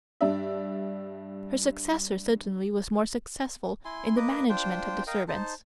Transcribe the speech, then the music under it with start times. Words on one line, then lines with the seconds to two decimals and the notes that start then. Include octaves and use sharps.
Her successor certainly was more successful in the management of the servants.
0.21 G2 D4 E5
3.85 E4 G#5 C6
4.17 A#3 B4 D#5 D6
4.49 D4 F4 C5 G5
5.07 A#4 D#5 F5 G5
5.28 D#4 C5 A5